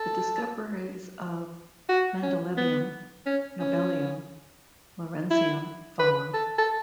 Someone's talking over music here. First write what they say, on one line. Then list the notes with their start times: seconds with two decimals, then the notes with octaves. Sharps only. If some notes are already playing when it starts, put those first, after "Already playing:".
The discoveries of mendelevium, nobelium, lawrencium followed.
Already playing: A4
1.89 F#4
2.23 C#4
2.57 B3
3.26 C#4
3.60 C#4
5.31 E4
5.99 B4
6.34 A4
6.58 A4